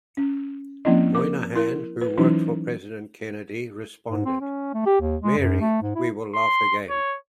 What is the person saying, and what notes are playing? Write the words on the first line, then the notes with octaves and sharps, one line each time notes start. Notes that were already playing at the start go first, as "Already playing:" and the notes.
Moynihan, who worked for President Kennedy responded, Mary, we will laugh again.
C#4
F3 A#3 C4 C#4 E4 D#5
A#4 D6
E4 A#4
B4
E3 F#3 C#4 D#4 E4
G#2
C4
C#4
A3
G4
D#2
G#3
F#2
A3
G#2
E4
C6
C#5